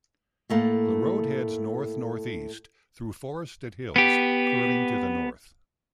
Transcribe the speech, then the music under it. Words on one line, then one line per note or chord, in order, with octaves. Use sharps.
The road heads north-northeast through forested hills, curving to the north.
A2 A3 A#3
B3 G4